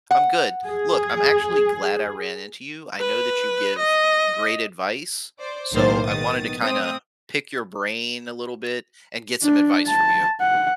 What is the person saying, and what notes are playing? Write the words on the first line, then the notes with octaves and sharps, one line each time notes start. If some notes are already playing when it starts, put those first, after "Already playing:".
I'm good. Look, I'm actually glad I ran into you. I know that you give great advice, so I wanted to kinda pick your brain a little bit and get some advice from you.
F#5
G#4
B4
D#5
C5 D5
B1 A2 D#3 A#3 C5 A6
D#3 B3 D#6 A6
A3 C4 D#6
D4
A5
F#5